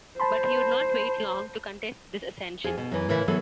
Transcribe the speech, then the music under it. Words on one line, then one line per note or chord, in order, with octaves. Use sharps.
But he would not wait long to contest this ascension.
C5 A5 B5 C6
F2 G#4
B2
F#2 E3
A2 C#3 E3 A#4 E5
E3 F#3 B3 G#4 A4